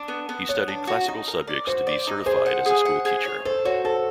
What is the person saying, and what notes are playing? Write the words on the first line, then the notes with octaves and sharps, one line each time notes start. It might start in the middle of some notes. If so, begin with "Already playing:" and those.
He studied classical subjects to be certified as a schoolteacher.
Already playing: D4
B3
B3
B3 C#5
D4
F#4
D#4
A#4
D5
F#4 C5
D5
D#4
G#4 C5
F#5
G#4
F#5
G#4
C#5
A4 C5
F#4 C#5
A4 C5